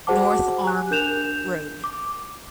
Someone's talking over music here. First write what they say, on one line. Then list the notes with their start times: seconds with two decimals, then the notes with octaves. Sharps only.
North Arm Rd.
0.07 F#4 G#4 C5 F#5 A5 D6
0.65 G4 G#5 F#6
0.90 D4 A#4 G6 E7 F7
1.84 D6